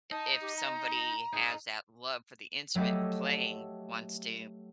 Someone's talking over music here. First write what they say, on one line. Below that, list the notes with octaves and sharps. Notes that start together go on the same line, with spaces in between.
i if somebody has that love for the instrument and playing, wants to
D#4 A5
G4
A#5
D#4 G#4
F#3 A3 G4 A4 D#5